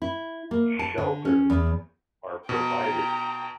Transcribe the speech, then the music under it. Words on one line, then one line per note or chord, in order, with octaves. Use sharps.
Shelters are provided.
E4
A#3
A5
D3
C#4
E2
B2 G5 A#5